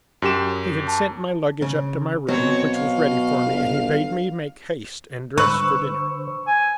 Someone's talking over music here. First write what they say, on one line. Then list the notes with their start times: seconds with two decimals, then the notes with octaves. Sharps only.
He had sent my luggage up to my room, which was ready for me, and he bade me make haste and dress for dinner.
0.22 F#2 G4 E7
0.53 C5 D#6
0.88 A5
1.62 C#3
2.28 B2 F#3 C4 C#5
2.73 F5
3.46 G1
5.38 D3 B4 C5 C#6 E6
6.47 G#5